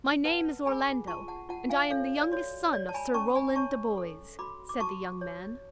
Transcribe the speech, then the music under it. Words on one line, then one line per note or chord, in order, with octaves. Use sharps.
"My name is Orlando, and I am the youngest son of Sir Rowland de Boys," said the young man.
B4 F#5 A5
G#4 G#5 B5
F4 A5 C#6
F#5 A5
F4 F#5 A5
F5 G#5
A4 C#5 F5
D5
F#4 C#5
C#5 D5
A5
G#5 B5
C#4 A5 C#6
G#5 B5
C#5 A5 C#6
A4
F#4 B5 D6
D6
F#4 A5 C#6
C#5